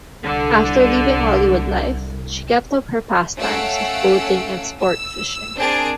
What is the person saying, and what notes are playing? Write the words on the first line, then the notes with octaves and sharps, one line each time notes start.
After leaving Hollywood life, she kept up her pastimes of boating and sport fishing.
C2 D3
A3 C#4 F5 F#5 E6 D7
E6
C4 D4 G#4 A#4 A5 D7